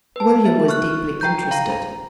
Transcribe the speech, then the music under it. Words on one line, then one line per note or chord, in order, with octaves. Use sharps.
William was deeply interested.
B4 A5
E5
C#6 F6 F#6
G5 A#5 G6
F5 A#5
A#5